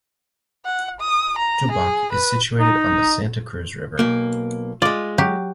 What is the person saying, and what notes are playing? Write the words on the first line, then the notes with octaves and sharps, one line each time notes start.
Tubac is situated on the Santa Cruz River.
F#5
D#6
A#5
G#4
B4
D#4
B1 A#3
G#3 F4 D5
F#3 G4